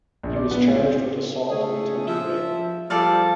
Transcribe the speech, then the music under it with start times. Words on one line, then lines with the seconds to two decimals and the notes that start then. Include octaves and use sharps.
He was charged with assault and attempted rape.
0.23 A#1
0.36 D5
0.51 B3
0.67 A2
0.80 C4
1.50 C#3 A3 G#4
2.06 F3 E5
2.90 F3 G3 A4 D5 F5